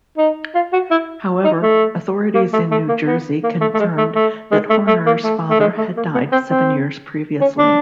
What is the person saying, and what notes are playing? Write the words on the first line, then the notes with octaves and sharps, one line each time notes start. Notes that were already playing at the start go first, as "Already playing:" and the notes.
However, authorities in New Jersey confirmed that Horner's father had died seven years previously.
D#4
F4
F#4
E4
D#4
A3
A#3
A3
A3
A#3
B3
A#3
A3
A3
G#3
A3
A3
G#3
A3
A3
A#3
A3
A3
G#3
A3
A#3
B3
C4
C4
C#4
D4